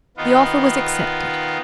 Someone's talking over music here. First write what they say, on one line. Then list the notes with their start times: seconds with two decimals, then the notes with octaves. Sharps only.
The offer was accepted.
0.17 D#3 B3 F4